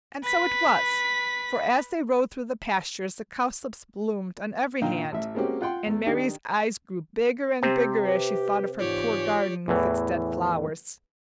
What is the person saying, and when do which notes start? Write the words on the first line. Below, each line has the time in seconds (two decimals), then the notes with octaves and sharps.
And so it was, for as they rode through the pastures the cowslips bloomed on every hand, and Mary's eyes grew bigger and bigger as she thought of her poor garden with its dead flowers.
0.23 B4 B6
4.82 A#2 D3 D#3 F5 G5 A#5
5.12 A1 E5
5.35 G#3 A#3 C4 C#4 F#4 G4
5.61 F4 F#5 G5 C6
5.86 E2 A3
6.06 D#3 D4 G4
7.63 C3 C4 G4
8.03 G4 B4
8.78 G#2 E3 F4 G4 C#5 D5
9.68 E2 A2 E3